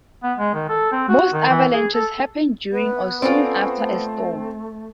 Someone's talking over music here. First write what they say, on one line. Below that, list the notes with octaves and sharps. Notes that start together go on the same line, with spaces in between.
Most avalanches happen during or soon after a storm.
B3
G#3
D#3
A4
C4
F#4
D#3
E3
G#4
A4
B3 B4
C4 C#4 F4 A4 D5
A3